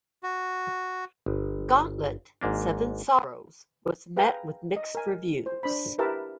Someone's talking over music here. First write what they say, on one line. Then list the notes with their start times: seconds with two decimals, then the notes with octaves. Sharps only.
"Gauntlet: Seven Sorrows" was met with mixed reviews.
0.23 F#4
1.26 G1
2.41 G#1 G#2 A#3 D4
4.17 G#4 B4 F5 G5 G#5 A#5
4.76 D#5
4.95 A#4 G#5
5.46 C5
5.63 D4 C5 B5
5.98 E4 G4 A#4 B4 E5 A5